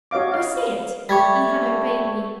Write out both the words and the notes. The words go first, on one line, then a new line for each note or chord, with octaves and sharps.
"I see it." He had obeyed me.
F#4 C#5 D#5 F5 D6
D#5 F5
G3 A3 C#6 G#6 B6